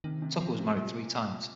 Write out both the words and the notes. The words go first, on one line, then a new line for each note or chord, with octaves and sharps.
Tucker was married three times.
C3 D#3
C3
F3 C4
C3
A#2 G3